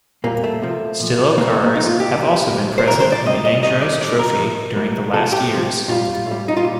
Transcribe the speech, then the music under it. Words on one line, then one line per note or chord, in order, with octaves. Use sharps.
Stilo cars have also been present in the Andros Trophy during the last years.
A#2 G3 A#3
A3
C3 F3
A#2 F3
A2 G3 A#3
A3
A#3
A#2 F3 D#4
F4
G4
C3 D#3 G3
A#2 G3
C5
C3 D#3 G3 A#4
C5
D5
C3 G3 D#5
D#5
A2 G3 D#5
D5
A2 G3 D5
A#4
A2 F3
A2 G3
C3 F3 A4
G4
C3 F3
A#2 G3 F4
A2
G3
D#4
F4
A#2 G3